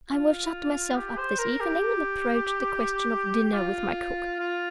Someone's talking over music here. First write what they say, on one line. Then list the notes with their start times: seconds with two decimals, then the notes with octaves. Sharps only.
I will shut myself up this evening and approach the question of dinner with my cook.
0.10 F4
0.96 G4
1.18 C5
1.38 A#4
1.60 G4
3.44 G4
3.54 F4
4.39 F4